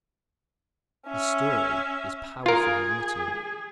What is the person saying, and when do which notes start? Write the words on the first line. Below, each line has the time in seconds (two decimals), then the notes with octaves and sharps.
The story is powerfully written.
1.07 C#4 E5
2.46 F4 G#4 A#4